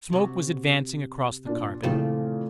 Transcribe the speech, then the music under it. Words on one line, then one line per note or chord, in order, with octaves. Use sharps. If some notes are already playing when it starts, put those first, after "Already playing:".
Smoke was advancing across the carpet.
C3 F#4
A#2 D4
A#2 C#3 E3 F3 A3 C4